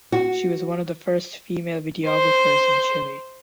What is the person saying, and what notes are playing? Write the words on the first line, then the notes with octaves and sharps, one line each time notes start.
She was one of the first female videographers in Chile.
F#4
C5